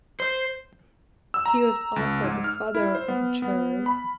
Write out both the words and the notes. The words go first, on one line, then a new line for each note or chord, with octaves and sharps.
He was also the father of Jared.
C5
E6
A#5
C#2
G#2
F6
E4
C5
B3
B3
B5